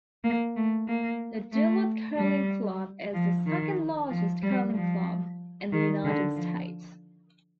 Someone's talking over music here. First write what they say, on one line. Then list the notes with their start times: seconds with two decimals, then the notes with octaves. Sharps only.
The Duluth Curling Club is the second largest curling club in the United States.
0.24 A#3
0.56 A3
0.88 A#3
1.53 A3
2.17 G3
3.14 F3
3.46 D#3
4.10 F3
4.43 G3
4.75 F3
5.73 D#3
6.05 D3
6.36 F3